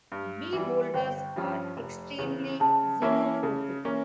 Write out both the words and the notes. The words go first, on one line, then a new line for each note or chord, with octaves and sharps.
Beholders are extremely xenophobic.
G2
E3 G3
G1 G5
G2 F3 C#4 F4
F1
E2 C#3
C#3 A5
E3 A#3 C#4 E4
C#3
E3 A#3 C#4